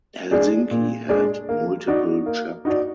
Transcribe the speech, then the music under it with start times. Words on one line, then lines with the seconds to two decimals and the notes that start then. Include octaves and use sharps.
Helsinki had multiple chapter.
0.31 G#3 D4 G#4 D5
0.71 A#2
1.09 G#3 D4 G#4 D5
1.49 A#3
1.88 D#4 F#4 D5
2.26 A#3
2.65 D#4 F#4 D5